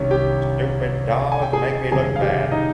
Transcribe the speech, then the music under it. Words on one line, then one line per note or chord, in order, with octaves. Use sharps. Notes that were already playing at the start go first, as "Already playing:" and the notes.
"Stupid dog, make me look bad."
Already playing: C2 C3 D#3 C#4 C#5
G4 G5
G#5
G5
G#4 G#5
F1 D#2 C#3 G3 G#4 G#5
F5
G4 G5
D#4 D#5